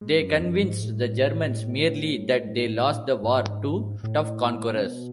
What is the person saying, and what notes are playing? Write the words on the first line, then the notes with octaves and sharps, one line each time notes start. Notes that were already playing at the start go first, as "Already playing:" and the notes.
'They convinced the Germans merely that they lost the war to tough conquerors.
G#2
F#2
E2
F#2
G#2
A2
G#2
A2
C#3
B2